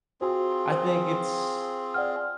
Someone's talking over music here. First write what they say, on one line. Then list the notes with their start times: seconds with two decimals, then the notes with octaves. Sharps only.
I think it's
0.21 C4 F4 F#4 G#4 C5
0.72 C5
1.94 D5 F#5 F6